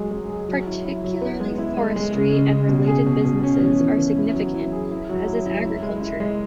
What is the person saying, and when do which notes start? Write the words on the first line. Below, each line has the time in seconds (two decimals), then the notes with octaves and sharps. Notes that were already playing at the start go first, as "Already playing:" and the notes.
Particularly forestry and related businesses are significant, as is agriculture.
Already playing: F#3 G#3 G#4
0.11 G#3
0.29 G#4
0.48 F#3
0.67 E4
0.85 E4
1.04 F#3
1.22 B3
1.40 G#3
1.58 E4
1.77 G#3
1.96 G#3
2.14 C#3
2.32 C#3
2.51 C#3
2.69 B2
2.87 G#4
3.06 B2
3.25 B2
3.44 C#4
3.61 E3
3.80 E3
3.98 E3
4.17 E4
4.35 F#3
4.54 E4
4.72 G#4
4.91 E4
5.09 F#3
5.27 E4
5.46 E4
5.65 E4
5.83 G#3
6.01 E4
6.20 G#3